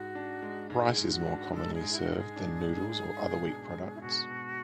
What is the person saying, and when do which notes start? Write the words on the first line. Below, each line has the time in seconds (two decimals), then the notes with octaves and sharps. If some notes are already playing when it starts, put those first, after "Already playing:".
Rice is more commonly served than noodles or other wheat products.
Already playing: G#2 F#4
0.15 D4
0.42 G#3
0.69 G#2 G#4
0.98 G#2
1.11 F#4
1.25 D4
1.53 G#3 A4
1.74 G#4
1.81 G#2
1.90 E4
1.94 F#4
2.08 G#2 F#4
2.16 G#4
2.36 D4
2.64 G#3
2.91 G#2
3.19 B2
3.46 D4
3.74 G#3
3.95 E4
4.01 B2 F#4
4.30 B2